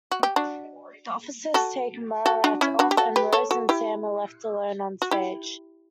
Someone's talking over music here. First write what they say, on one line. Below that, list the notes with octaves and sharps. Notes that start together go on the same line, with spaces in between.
The officers take Maurrant off, and Rose and Sam are left alone onstage.
F#4
G4
D4 F#4
F#4 A4
F#4 A4
D4 F#4
C#4 E4
D4 F#4
G4
F#4 A4
G4 B4
A4 C#5
F#4 A4
E4 G4
F#4
E4 G4